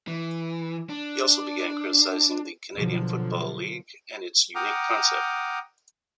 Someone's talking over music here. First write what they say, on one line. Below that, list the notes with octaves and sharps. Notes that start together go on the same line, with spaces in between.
He also began criticizing the Canadian Football League, and its unique concept.
E3
D4
B2 D3 F3 F#3
F#5 G5 A#5 D6 D#6 F6